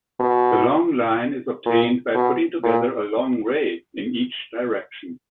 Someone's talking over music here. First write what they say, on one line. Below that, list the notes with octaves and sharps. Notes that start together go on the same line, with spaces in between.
The long line is obtained by putting together a long ray in each direction.
B2
A#2
B2
A#2